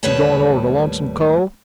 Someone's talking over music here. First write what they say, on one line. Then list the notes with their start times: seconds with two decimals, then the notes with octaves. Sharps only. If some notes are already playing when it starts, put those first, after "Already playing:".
"You goin' over to Lonesome Cove?"
0.03 D#2 A2 G3 B4 C#5 A5